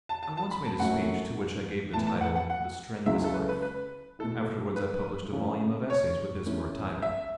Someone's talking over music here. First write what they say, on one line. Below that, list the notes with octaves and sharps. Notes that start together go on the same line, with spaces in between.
I once made a speech to which I gave the title "The Strenuous Life." Afterwards I published a volume of essays with this for a title.
A5
A5
A5
B5
A5
F#2 F#3 A3 C#4 F#5
A2 E3 B3 A5
A5
F#5
F#5
F#5
C#2 C#3 F#3 C#4 E4 E5
A4
B4
B4
B4
B2 A3 E4 A4
B4
C#3 A3 C#4 E4
C#5
E2 E3 C#4 E4
E5